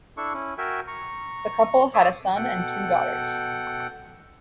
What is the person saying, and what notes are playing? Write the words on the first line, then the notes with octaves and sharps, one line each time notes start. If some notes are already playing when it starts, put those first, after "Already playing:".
The couple had a son and two daughters.
D4 E4 A4 C#6
C#4 E4
F#4 A#4 E5 G5 G#5
A#5 C#6
C#5 E5 A5 C6 D6 D#6
B2 A4 F#5 G5